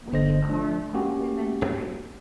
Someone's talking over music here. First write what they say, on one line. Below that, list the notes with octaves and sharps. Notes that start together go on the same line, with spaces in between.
We are complementary.
G1 D3 C5 D#5 A#6
F3 D4
A#3 C#4 F#4 G4